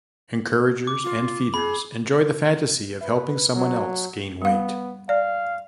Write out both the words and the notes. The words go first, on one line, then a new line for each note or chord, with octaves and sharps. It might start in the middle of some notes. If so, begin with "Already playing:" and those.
Encouragers and feeders enjoy the fantasy of helping someone else gain weight.
D6
F4
G#4 B5
B4 E5
F#3
G3 B3 F5
D5 F5